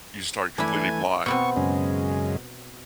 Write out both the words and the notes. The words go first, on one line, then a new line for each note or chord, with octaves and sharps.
you start completely blind
E3 A3 D4 E4 G#5
B2 B3 C4 C#6
F#2 C#3 G#3